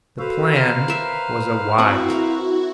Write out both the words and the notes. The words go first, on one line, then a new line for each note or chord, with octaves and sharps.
The plan was a wise one.
F#4 A4 B4 C5 F5
A#5 F6
A#4 E5
C4 E4 F#4 F#5 C#6
A#4